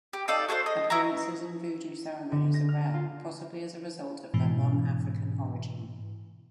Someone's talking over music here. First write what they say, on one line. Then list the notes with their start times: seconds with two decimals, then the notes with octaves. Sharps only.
Appearances in Voodoo ceremonies are rare, possibly as a result of her non-African origin.
0.13 G4
0.28 D#4 F4 A4 D5
0.49 F#4 G#4 A4 C5
0.66 D#5
0.90 E4 F#4 A#5
2.32 D3
2.54 A#6
2.69 F6
2.94 F4
4.34 G#2 B2 E3